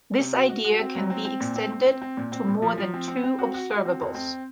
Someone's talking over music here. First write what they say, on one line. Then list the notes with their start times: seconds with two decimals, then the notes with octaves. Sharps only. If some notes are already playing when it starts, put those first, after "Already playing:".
This idea can be extended to more than two observables.
0.18 C3
0.35 F#4
0.49 F#4
0.65 F#4
0.79 C4
0.95 F#3
1.10 C4
1.25 C4
1.41 A#2
1.56 C4
1.72 C4
1.87 C4
2.02 C4
2.17 A#2
2.32 C4
2.47 A#2
2.62 F3
2.77 F3
2.94 C4
3.08 C4
3.24 C4
3.39 F#4
3.54 F#4
3.70 F#4
3.85 C4
4.00 F2
4.15 C4